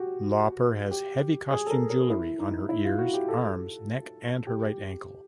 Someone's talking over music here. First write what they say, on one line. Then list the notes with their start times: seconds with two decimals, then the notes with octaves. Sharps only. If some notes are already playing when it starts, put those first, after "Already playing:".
Lauper has heavy costume jewelry on her ears, arms, neck and her right ankle.
Already playing: F#4 G4
0.91 G4
1.51 G#4
1.67 A4
1.71 A#4
1.90 A#4
2.10 E4
2.39 D#4
2.69 E4
2.85 F4
2.99 F#4
3.14 G4
3.29 A4
4.47 G4